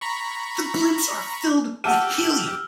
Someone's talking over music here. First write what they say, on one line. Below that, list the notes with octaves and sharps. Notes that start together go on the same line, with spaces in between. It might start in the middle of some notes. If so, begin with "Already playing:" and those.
The blimps are filled with helium.
A#5 B5 C#6
G4 F#5 A5 E6 F6 D#7